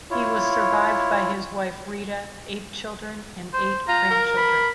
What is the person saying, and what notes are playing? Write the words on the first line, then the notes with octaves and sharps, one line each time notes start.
He was survived by his wife, Rita, eight children and eight grandchildren.
E4 F4 C#5
C5
F4 A#5
A#4
B5